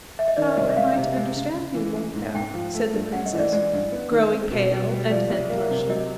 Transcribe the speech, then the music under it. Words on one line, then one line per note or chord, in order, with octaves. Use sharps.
"How am I to understand you, mon pere?" said the princess, growing pale and then blushing.
E5
D#5
D#3 D5
C2 D#5
E5
G#3 F5
C3
G#3
C#3
C#3
E3
G#3
G#2
G#2 G5
F3
A3
G2
C#4 F#5
D#5
E3
D5
G#3 D5
G2
B3
D#3
C4
B2
B2
G3
F3 D5
C2
A#3
C3
F#3 D#5